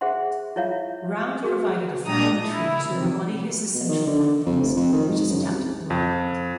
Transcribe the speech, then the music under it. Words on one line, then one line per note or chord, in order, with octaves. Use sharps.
Round provided a family tree to embody his essential findings, which is adapted below.
G#4 C5 E5 F#5 C6
E4 F4 C#5 E5 F5
F#4 G#4 A#4
A#2 G#3 D4 A#5 D#6
E4
C3 D#3
B2
D#3
D3
F2
F1
F2
D#3
G#2
F#2
C2
F2